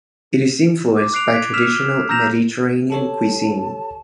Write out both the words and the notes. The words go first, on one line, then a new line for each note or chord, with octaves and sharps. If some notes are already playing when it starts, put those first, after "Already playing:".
It is influenced by traditional Mediterranean cuisine.
D6
F#6 C7 D7 F7
G#6 B6 D7
E6 F6 B6 E7 F7
A#5 E6 G6 A#6 E7 F7
G4 A4 C#5 A5